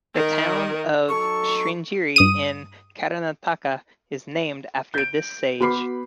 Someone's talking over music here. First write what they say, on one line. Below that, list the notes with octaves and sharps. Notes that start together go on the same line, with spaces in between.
The town of Sringeri in Karnataka is named after this sage.
D#3 A#4
F#3 D#4 A4 C#6
G2 D#6 D#7
G6 D7
B3 F#4 B4 B5 D6 C7